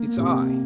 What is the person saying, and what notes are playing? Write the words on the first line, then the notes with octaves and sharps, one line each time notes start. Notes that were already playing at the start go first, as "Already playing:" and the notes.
"It's I."
Already playing: A#3
C3